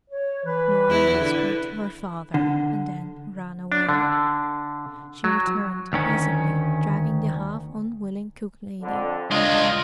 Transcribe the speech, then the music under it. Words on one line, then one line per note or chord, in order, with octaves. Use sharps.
Norah whispered to her father, and then ran away. She returned, presently, dragging the half-unwilling cook-lady.
C#5
E3 B4
E2 E4
D3 B4
D3
D4
D3
F#3
D2 D#3 C#4
F2 D3
G#3 D4 F4 D#5